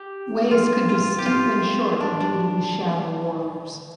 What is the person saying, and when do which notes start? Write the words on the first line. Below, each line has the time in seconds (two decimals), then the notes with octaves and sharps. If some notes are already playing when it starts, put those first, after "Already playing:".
Waves could be steep and short due to the shallow waters.
Already playing: G4
0.51 F4
0.89 F4
1.18 G4
1.26 F4
2.00 D4
2.20 D4